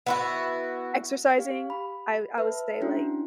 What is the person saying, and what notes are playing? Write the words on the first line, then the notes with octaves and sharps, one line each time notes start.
exercising, I I would say, like
B3 E4 F#4
G4 F5
B5
B4 E5 A5
C#4 D4 E4 F#4